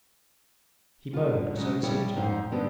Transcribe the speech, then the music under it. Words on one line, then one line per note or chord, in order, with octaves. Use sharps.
He moaned, or so it seemed to me.
D3 G3 F4
C#3 F#3 G#3 C#4
F3 G3 E4 G#4 C#5
F2 G#2 D#4 C5
G2 D3 B3 C4 D4 G4